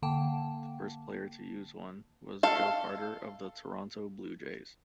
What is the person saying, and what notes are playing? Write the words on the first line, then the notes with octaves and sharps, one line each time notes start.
The first player to use one was Joe Carter of the Toronto Blue Jays.
D3 A#3 G5 A5
A4 F5